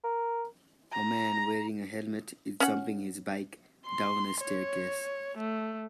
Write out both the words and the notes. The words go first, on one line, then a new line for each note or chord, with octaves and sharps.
A man wearing a helmet is jumping his bike down a staircase.
A#4
A#5
C#4 F#5
C6
C#5
A3